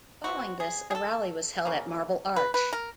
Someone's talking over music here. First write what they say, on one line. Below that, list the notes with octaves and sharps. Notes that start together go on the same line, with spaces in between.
Following this, a rally was held at Marble Arch.
B2 G3 C4 F#4
G#4
G#4
A4
C#3 F#3 A#3
B4
B4
A#4